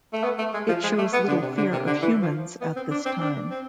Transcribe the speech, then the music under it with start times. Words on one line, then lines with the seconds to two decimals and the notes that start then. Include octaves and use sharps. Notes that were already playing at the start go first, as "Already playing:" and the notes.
It shows little fear of humans at this time.
0.13 A3
0.24 B3
0.38 A3
0.54 G#3
0.68 F3
0.83 G#3
0.98 A3
1.13 B3
1.28 D3
1.42 C3
1.58 D3
1.72 C3
1.87 D3
2.02 E3
2.22 F3
2.61 B3
2.76 C4
2.91 D4
3.06 C4
3.21 D4
3.51 C4